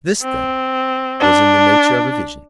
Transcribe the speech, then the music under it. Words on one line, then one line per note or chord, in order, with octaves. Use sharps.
This, then, was in the nature of a vision.
C4
D4